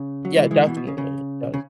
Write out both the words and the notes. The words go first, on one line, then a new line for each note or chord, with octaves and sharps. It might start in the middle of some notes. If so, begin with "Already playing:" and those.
Yeah, definitely does.
Already playing: C#3
F#3
E3 G#3
E3 G#3
B2 E3
B2
C#3
C#3
C#3